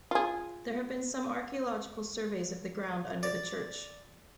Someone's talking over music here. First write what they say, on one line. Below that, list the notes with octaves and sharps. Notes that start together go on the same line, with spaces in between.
There have been some archaeological surveys of the ground under the church.
F4 G#4
D5